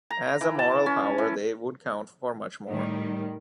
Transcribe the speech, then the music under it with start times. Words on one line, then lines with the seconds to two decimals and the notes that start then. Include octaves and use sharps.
As a moral power they would count for much more.
0.10 A#5
0.41 E3
0.59 A5
0.86 C#4
1.18 E3
2.68 A2 D#3 G3